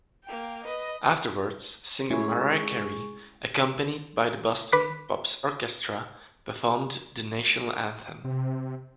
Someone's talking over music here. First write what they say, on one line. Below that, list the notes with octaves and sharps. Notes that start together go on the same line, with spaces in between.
Afterwards, singer Mariah Carey, accompanied by the Boston Pops Orchestra, performed the national anthem.
A#3 G5
B4 D#5
G#3 A3 C#4 E4 G#4 C#6
B4 B5 D6 F#6 B6
C3